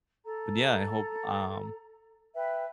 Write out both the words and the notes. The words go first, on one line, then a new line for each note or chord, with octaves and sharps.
but yeah, I hope, um,
A4 A#5
B4 E5 G5